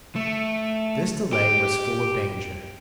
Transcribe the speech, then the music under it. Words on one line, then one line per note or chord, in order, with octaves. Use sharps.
This delay was full of danger.
A3
G4